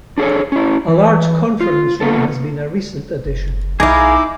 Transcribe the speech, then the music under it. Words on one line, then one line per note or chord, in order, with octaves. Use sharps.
A large conference room has been a recent addition.
D4 G#4 A4 C#5
C#4 E4
E3
F4
A#3 B3 A4
F#1
B1 D#4 E4 G#4 A#4 F5 D6